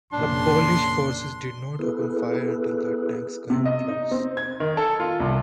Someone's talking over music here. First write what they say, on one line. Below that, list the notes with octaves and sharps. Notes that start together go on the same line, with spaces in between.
The Polish forces did not open fire until the tanks came close.
F1 A#2 C#3 D4 C6
B3 E4 G#4 A4 B4
C3
D#5
D#4
C4
G#6
D#3
A4
F4
C2